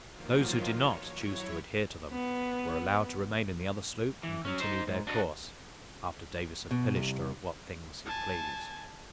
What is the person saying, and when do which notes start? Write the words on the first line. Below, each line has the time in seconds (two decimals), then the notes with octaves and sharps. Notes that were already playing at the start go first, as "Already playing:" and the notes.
Those who did not choose to adhere to them were allowed to remain in the other sloop, and continue their course, after Davis had pillaged her of what things he pleased.
0.10 D#3 F3 F#3 A#3 F4
0.70 C#5
1.13 F#3 E4 C#5
2.11 B3
4.23 E3
4.45 F#3 C#4
4.60 D#4 C5
4.87 G#2
5.07 D4 F#4 D#5
6.71 B2
6.96 C2
8.06 G#5 A5